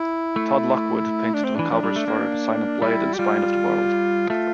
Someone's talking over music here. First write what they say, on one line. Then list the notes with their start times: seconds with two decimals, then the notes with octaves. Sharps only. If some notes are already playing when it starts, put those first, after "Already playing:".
Todd Lockwood painted the covers for "Silent Blade" and "Spine of the World".
Already playing: E4
0.36 A3
1.34 D4
1.45 C4
1.56 E3 D4
1.72 F3
1.83 G3
1.96 A3
2.08 A#3
2.82 G3 E4
3.14 G4
3.19 G3 F4
4.30 A3 F4